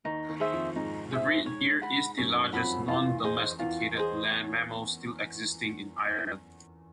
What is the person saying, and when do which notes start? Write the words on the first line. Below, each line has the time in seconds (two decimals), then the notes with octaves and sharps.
The red deer is the largest non-domesticated land mammal still existing in Ireland.
0.04 D#2 D#3 D#4
0.28 D#2 D#3
0.40 G#4 C5 E5
0.53 F2 F3
0.76 G#2 G#3 D#4
1.11 G#4 C5 E5
1.46 C#5
1.82 F#5 B5
2.17 F#2 F#3 C#5
2.53 F2 F3 F#5 B5
2.88 E2 E3 F4
3.24 G#4 C5 D#5
3.59 E2 E3 F4
3.95 G#4 C5 D#5
4.30 C#5